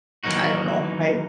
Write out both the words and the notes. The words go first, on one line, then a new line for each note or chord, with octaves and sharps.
I don't know. I
D#3 E3 F#3 A#3 D#4 F#4